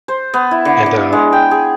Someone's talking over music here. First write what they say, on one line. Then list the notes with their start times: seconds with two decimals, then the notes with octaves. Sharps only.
and, uh,
0.08 C5
0.34 B3
0.51 E4
0.65 D3
0.86 D3
1.13 G#3
1.33 G5
1.51 G#4